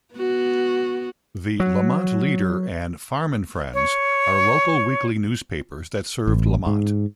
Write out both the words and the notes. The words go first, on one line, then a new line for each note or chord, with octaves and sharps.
"The Lamont Leader" and "Farm 'n' Friends" are local weekly newspapers that serve Lamont.
B3 F#4
F#3
C#5
A1
G#2